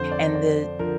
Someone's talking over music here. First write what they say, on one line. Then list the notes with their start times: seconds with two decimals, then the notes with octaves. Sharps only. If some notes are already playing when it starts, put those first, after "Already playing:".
and the
Already playing: F2 D3 F3 C5
0.12 D5
0.34 D5
0.79 D3 F3 A#4